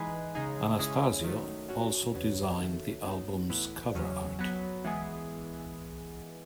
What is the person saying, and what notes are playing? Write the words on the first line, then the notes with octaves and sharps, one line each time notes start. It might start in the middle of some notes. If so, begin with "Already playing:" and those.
Anastasio also designed the album's cover art.
Already playing: E3 G#3 D#4 G#4 B4
C#3 G#3 D#4 G#4
C#3 G#3 C#4 E4 G#4
D#3 F#3 A3
F#3 C#4 F#4
E2 C#3 F#3 B3
D#3 F#3 A3
F#3 B3 D#4
A2 E3 B3 E4 B4
E2 C#3 F#3 C#4
F#3 B3 F#4 B4
E3 G#3 B3 E4 G#4